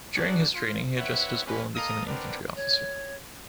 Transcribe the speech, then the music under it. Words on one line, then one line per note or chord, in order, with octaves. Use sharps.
During his training he adjusted his goal and became an infantry officer.
D4 F#4 G#4 A#4 D5
F4
C4 E4 B4 C#5 E5 F#5
G#3 A#3 C4 C#4 B4
A#3 A4 D#5 F5 A#5 D#6
B3 C4 D4 A#4 B4 D5
C#5